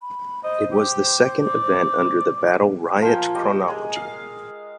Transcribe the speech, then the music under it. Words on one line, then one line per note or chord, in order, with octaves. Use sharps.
It was the second event under the Battle Riot chronology.
B5
C5 D#5
G4
D5
F3 A#4 G5 G#5
G4 D#5
G#3 G#4
F5